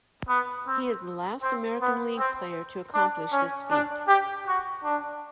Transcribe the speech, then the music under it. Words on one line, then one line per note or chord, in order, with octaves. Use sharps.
He is the last American League player to accomplish this feat.
B3
C4
C4
B3
C4
D4
C#4
D4
G4
F#4
D4